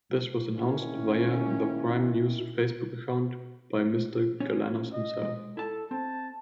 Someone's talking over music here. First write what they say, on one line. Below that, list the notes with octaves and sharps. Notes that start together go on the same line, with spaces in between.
This was announced via the Prime News Facebook account by Mr. Galanos himself.
D#3 A#3 C#4 E4
C#4 C#5
D#5
G#3
E4 A4 A5
C4 A5